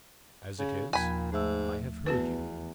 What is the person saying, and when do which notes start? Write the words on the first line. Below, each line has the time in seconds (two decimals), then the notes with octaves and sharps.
As it is, I have heard you.
0.59 C#3
0.93 D#2 A#2 F3 G#5 B5
1.32 G#2 A3 E5 E6
2.06 E2 B3 F#4 B4